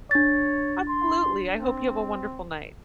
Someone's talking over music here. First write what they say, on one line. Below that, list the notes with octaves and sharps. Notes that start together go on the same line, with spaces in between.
Absolutely. I hope you have a wonderful night.
D4 C#5 A6
C6
C4